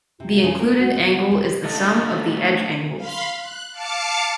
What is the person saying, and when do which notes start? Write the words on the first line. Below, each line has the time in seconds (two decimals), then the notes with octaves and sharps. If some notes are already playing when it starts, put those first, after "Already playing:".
The included angle is the sum of the edge angles.
0.20 C3
0.44 C#3
0.59 A#4
0.80 F#4
0.95 B3
1.31 G3
1.65 A3 D4 F4 A4 D#5
2.97 F5 B5 C6
3.38 F#6
3.71 F5 A5 D6 C#7